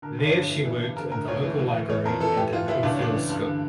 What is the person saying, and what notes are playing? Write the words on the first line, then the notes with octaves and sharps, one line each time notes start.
There she worked in the local library and in Hopefield School.
D3 A#4
G2
C#5
D3
E3
E3
G2
D3 A#4
D3 A#4
D2 C#5
E3
E3
E3
E3 C#5
F2 A#4
E3 A4
E3 G4
E3 F4
E3 E4
C#2 D4
C#4
C#2 D4
E3
G2
D3